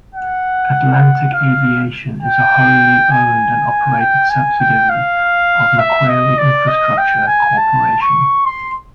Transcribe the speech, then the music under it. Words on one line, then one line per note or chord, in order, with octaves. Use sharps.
Atlantic Aviation is a wholly owned and operated subsidiary of Macquarie Infrastructure Corporation.
F#5
F5
G5
G#5
G5
G#5
G5
F5
E5
D#5
D5
D#5
G5
G#5
A5
C#6
C6